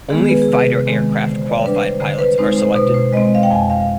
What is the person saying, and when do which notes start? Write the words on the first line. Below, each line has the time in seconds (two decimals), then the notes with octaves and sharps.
Only Fighter aircraft qualified pilots are selected.
0.10 D#3 G#3 B3 G#4
0.29 B4
0.42 G#4
0.48 C3 B4
0.87 D#3 G#3 C4
1.24 D3 C5
1.49 D5
1.62 G3 D4 B4
1.75 C5
2.00 D3 C5
2.19 B4
2.38 G#3 C4 D#4 C5
2.57 C5
2.75 B2 B4
2.94 C5
3.13 G#3 C4 D#5
3.35 F5
3.43 G5
3.51 F2 G#5
3.70 F5